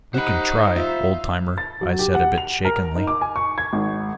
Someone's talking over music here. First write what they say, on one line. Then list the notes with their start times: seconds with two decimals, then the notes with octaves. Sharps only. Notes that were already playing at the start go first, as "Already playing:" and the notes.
"We can try, old-timer," I said, a bit shakenly.
0.14 D#4 G4 C5 F#5 B5
0.76 F4 E5
1.58 A6
1.81 F#3
1.99 G4
2.15 F#5
2.38 F7
2.65 A#4
2.96 D#4
3.07 D6
3.21 G#5
3.36 C#6
3.58 G#6
3.73 G#1